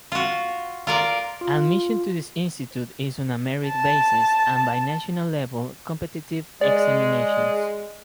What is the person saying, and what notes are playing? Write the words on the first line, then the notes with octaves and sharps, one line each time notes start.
Admission to this institute is on a merit basis and by national-level competitive examinations.
F4 F#4
F4 A#4 D5
F4
A5
G#3 D5